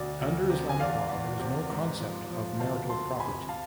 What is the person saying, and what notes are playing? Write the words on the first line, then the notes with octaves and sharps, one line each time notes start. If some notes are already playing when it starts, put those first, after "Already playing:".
Under Islamic law, there is no concept of marital property.
Already playing: D2 B2 D5
D2
C3
G#5
E2 D5 F5
E2
C3
G#2
F3
F3
D2 F5 A5
D2 A5 C6
C3 G#5 B5
F5 A5